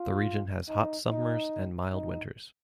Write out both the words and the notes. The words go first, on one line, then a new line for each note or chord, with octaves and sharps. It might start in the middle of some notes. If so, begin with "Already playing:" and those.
The region has hot summers and mild winters.
Already playing: F4
D#4
D#4
D#4